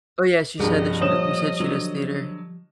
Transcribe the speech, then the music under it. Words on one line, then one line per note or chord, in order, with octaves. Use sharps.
Oh, yes. You said that she d you said she does theater.
C2 G2 F3 G3 G#4 D#5
A#1 C5 C#5 D#6 E7
D3 F#3